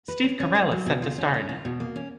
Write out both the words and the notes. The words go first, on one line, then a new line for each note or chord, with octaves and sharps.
Steve Carell is set to star in it.
B4
C#4
C#4
B4
F#3
B2
F4
C#4
C#4
F4
B2
A#3
C#4